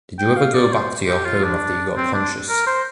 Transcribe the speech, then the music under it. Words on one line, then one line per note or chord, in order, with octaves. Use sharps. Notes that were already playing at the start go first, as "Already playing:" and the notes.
Did you ever go back to your home after you got conscious?
G5
F5
D5
C5
G4
F4
D4
C4
D4
A#4
C5